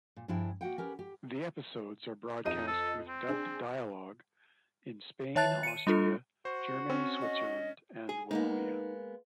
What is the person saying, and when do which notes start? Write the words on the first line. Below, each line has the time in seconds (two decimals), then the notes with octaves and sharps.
The episodes are broadcast with dubbed dialogue in Spain, Austria, Germany, Switzerland, and Wallonia.
0.16 A#2
0.28 G2 F3 D4 E4 G#4 G5
0.61 A#3 F#4 F#5 G5
0.78 C#4 G4 A#4 B4
0.99 G4
2.45 F2 D#4 D#5 D#7
2.68 A4
3.08 C4
3.28 D4 G#4
5.35 D#3 C#5 E5 A5 F#6 A6
5.63 C#7 D#7
5.87 G3 D4 F4 A4
6.45 F#4 C5
6.90 C4 C#4
7.21 D#5
8.09 G#4
8.31 G#3 A#3 B3 D#4